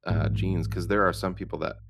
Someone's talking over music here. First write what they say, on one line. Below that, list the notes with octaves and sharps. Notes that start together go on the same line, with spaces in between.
uh, genes 'cause there are some people that
A#1 G#2 E3